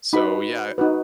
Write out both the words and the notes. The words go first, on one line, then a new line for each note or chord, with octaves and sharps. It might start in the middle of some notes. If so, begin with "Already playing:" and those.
so yeah
D#4 F#4 B4 B5
D#4 F#4 B4